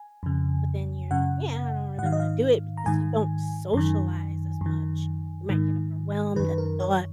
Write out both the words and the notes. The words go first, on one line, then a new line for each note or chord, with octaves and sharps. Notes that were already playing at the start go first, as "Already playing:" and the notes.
but then you're like, "Yeah, I don't really wanna do it because you don't socialize as much," you might get overwhelmed at the thought
Already playing: G#5
F2 C#3
F#2 C#3 F#5
G#2 D#3 F5 F#5
D#5
F5
A#5
G#2 D#3 G#5
F#2 D#3
F#2 D#3
G#2 D#3
F#2 D#3 B4
A#4
C#5